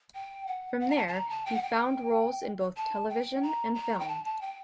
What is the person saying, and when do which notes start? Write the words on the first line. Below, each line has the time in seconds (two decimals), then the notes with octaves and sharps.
From there, he found roles in both television and film.
0.15 G5
0.47 F#5
0.80 F#5
0.90 A#5
0.97 A5
1.08 A5
1.13 A#5
1.29 A5
1.46 G5
1.54 F#5
1.63 G5
2.77 A5
3.09 G5
3.43 A#5
3.75 A#5
4.00 G5
4.08 A5
4.25 A5
4.41 G5